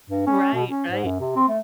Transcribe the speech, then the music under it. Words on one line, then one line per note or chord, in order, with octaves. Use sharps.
Right, right.
G2
C#4
B2
C#4
G#2
F#2
C3
C4
A3